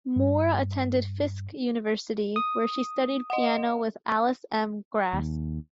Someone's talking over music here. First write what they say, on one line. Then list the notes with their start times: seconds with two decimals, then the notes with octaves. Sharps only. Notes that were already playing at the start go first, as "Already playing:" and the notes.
Moore attended Fisk University, where she studied piano with Alice M. Grass.
0.16 G2
2.36 D#6
3.30 D#5 F#5
5.13 D#2